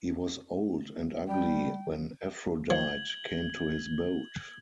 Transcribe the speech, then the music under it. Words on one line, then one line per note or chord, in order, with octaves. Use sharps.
He was old and ugly when Aphrodite came to his boat.
G3 G5
F3 G#6 F#7 G7